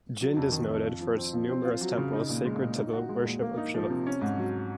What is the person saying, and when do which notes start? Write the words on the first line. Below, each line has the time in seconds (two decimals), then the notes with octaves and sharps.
Jind is noted for its numerous temples sacred to the worship of Shiva.
0.21 F#3
0.37 F2
0.52 D#3
0.69 F2
0.85 F4
1.01 F3
1.17 C4
1.33 F3
1.49 C4
1.64 F4
1.81 F#3
1.98 C#3
2.13 D#4
2.29 A#2
2.45 G#3
2.62 A#2
2.78 D#4
2.93 F#4
3.09 G#3
3.25 A#2
3.42 A#3
3.58 D#4
3.74 F3
3.90 C3
4.07 C#4
4.21 G#2
4.37 F#3